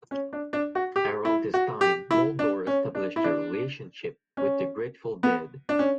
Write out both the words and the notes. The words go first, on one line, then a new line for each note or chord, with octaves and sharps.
Around this time, Muldaur established a relationship with the Grateful Dead.
C#4
D4
D4
F#4
G4
E4
F#4
G4
E4
D4
C#4
D4
E4
D4
C#4
B3
D4
C#4